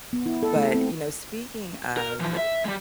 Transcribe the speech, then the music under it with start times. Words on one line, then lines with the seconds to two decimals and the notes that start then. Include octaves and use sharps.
But, you know, speaking of,
0.13 B3
0.26 E4
0.43 A4
0.56 A3
0.74 C4
1.97 A#4
2.20 E3 F3
2.37 E5
2.65 G3 G#3